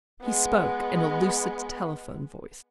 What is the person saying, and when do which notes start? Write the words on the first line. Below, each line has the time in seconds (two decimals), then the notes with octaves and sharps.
He spoke in a lucid telephone-voice.
0.21 G#3 B3